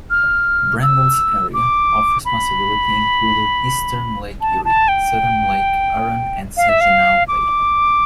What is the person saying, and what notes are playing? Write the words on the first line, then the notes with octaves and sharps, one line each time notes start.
"Bramble's" area of responsibility included eastern Lake Erie, southern Lake Huron and Saginaw Bay.
F6
E6
D6
B5
A5
A5
G5
F5
E5
F5
D6